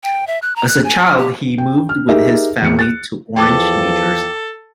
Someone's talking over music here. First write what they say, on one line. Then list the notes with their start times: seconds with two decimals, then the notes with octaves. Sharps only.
As a child, he moved with his family to Orange, New Jersey.
0.04 G5
0.27 E5
0.42 F#6
0.56 A#5
0.68 F#6
0.84 G#5
1.04 F6
1.18 G4
1.58 G5
1.89 F6
2.08 D#4 G4 G#4 A#4 E5
2.62 E2 C#7
2.79 F#6 A6
3.36 E2 F3 A4 G5 A5 D6